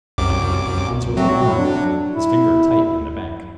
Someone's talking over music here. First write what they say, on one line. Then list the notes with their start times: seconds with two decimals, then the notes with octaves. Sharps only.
Hans was alone, his finger tight in the bank.
0.18 C2 F#2 D6
1.17 F#3 A3 C4 F#4
1.44 A2 C4
1.58 D4
2.11 E4